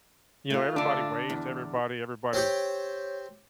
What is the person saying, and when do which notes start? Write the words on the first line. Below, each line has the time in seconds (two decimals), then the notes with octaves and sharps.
you know, everybody waves to everybody, everybody's
0.50 A3 F4
0.76 D3 D4
1.30 E2
2.33 C4 G4 C#5